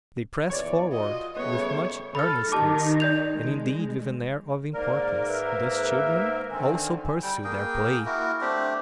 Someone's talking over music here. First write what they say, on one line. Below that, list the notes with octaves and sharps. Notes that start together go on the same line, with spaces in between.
They press forward with much earnestness, and indeed with an air of importance; thus children also pursue their play.
E2 E3 C#5 D5
F4 F#4 D#5
C#3 G3 A3 B3 C#5
A4 B5 F6
D#3 D#4 G4 A5 D6
D5 G6 F7
G#3
G#2 A#3 A#4 D5
B4 E5
D3 D#3 C4 G#5
G3 G5
A#3 G#4 G5
A#3 E4 F#4 A#4
A3 C4 D4 G4